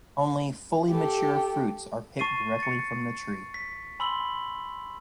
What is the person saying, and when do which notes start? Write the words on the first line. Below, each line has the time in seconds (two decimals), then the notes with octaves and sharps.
Only fully mature fruits are picked directly from the tree.
0.89 G4 A4
2.19 A5 C#6 A6 C7 D#7
2.59 A6 C#7
3.54 B6
4.00 G#5 B5 C6 E6 F#7 G7